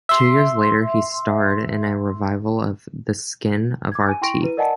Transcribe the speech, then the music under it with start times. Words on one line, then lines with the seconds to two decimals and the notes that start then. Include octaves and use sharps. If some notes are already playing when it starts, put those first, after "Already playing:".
Two years later he starred in a revival of "The Skin of Our Teeth".
0.09 E5 C6
3.92 D6 G#6
4.08 G#5 D#7
4.21 E4 G5 C6 C#6 A#6 D7
4.42 E4 B4 D#7
4.57 A#4 D5 D#5 F#5 G#5 A5